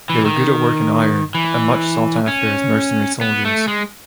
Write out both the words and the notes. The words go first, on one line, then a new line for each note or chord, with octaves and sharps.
They were good at working iron and much sought after as mercenary soldiers.
E3
D#3
E3
C#4
B3
A3
G#3